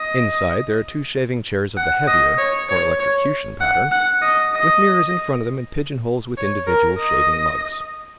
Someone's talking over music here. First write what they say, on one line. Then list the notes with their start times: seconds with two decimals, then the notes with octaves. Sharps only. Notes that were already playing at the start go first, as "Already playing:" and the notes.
Inside, there are two shaving chairs of the heavier, or electrocution pattern, with mirrors in front of them and pigeon holes with individual shaving mugs.
Already playing: D#5
1.77 F#5
2.07 D#5
2.38 C#5
2.69 C#5
2.99 C#5
3.61 F#5
3.91 F#5
4.22 D#5
4.53 D#5
6.37 C#5
6.67 A#4
6.98 D#5